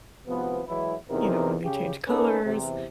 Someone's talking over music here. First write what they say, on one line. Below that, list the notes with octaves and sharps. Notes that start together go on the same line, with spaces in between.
you know, when they change colors
G#1 C3 F3 B3
E3 F#3 G#3 E4
E2 C3 F3 B3 D#4 A#4
C#3 G4
A#3 C#4 D#4 G#4 A4 B4
E2 C3